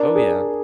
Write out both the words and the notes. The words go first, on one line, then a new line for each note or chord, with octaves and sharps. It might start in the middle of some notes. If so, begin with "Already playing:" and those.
Oh yeah.
Already playing: D4 A#4
G#4